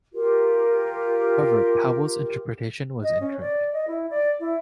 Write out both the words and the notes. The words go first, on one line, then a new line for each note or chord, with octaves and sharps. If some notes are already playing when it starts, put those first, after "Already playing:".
However, Powell's interpretation was incorrect.
F4 G4 A#4
D#5
C#4
D5
D#5
E4
D5
E4